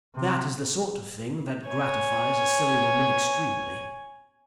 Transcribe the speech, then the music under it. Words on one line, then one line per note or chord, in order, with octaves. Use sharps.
That is the sort of thing that gratifies a silly woman extremely.
C3
C#5 G#5